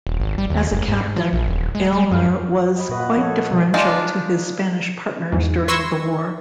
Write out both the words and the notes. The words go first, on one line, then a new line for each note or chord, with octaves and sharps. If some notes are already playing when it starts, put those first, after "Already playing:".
As a captain, Aylmer was quite deferential to his Spanish partners during the War.
D#1
G#1
G3
D#2
F#1
G#2
F3
A#1
D#1
G#3
G3
F#2
G4 D#5 B5
A#2 B4 D#5 F#5 C#6
F3 A4 C#5
B2 F3 G3 G#3
G#3 D4 D#4 F4
E2 G#2
B4 C6 C#6 E6 G#6 A#6